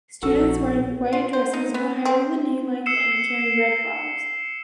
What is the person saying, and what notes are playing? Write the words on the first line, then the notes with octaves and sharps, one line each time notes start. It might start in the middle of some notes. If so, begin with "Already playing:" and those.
Students wear white dresses no higher than knee length and carry red flowers.
A#1 D4 F#4 A4 E6
F4
C5
D#4
B3
C4
E6 C7 C#7 E7